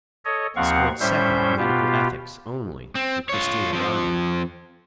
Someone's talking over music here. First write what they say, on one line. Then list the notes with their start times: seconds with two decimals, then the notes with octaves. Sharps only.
He scored second in Medical Ethics only to Christina Ryan.
0.25 A4 C#5 D#5
0.56 D#2 F3 C4 F5 F#5 C#6
1.00 A2 G3 C#4 C5 E5 G6
1.57 B2 B3 F4 G4
2.95 C4
3.29 F4 C#5
3.73 F3 C4